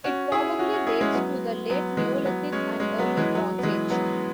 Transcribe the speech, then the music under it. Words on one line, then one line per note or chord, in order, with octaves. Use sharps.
It probably dates to the late Neolithic and early Bronze Age.
C#4 F#4
E4 G#4
C#4 F#4
C#4 F#4
E4 G#4
G#3 C#4
F#3 B3
F#3 B3
E3 G#3
F#3 B3
G#3 C#4
G#3 C#4
F#3 B3
E3 G#3
F#3
B3
E3 G#3
F#3 B3